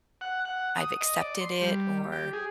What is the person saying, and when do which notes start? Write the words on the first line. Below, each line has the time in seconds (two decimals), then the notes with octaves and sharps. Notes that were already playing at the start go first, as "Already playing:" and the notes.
I've accepted it, or,
0.21 F#5
0.45 F#5
0.77 D#6
1.01 D#5
1.20 D5
1.41 C6
1.62 G3
2.12 G4
2.33 G#4